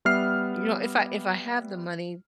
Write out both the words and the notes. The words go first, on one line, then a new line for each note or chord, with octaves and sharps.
you know, if I if I have the money,
G3 B3 E5 F6 C7